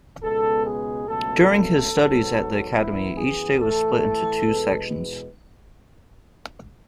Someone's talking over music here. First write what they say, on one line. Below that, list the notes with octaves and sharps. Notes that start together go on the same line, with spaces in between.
During his studies at the Academy, each day was split into two sections.
C#2 B2 G#3 B3 A4
G#4
C#2 B2 F#3 A3 A4
A4
G#2 F#3 B3
F#2 E3 B3 E4
G#4
A2 E3 A3 A4
E2 B2 G#3 B3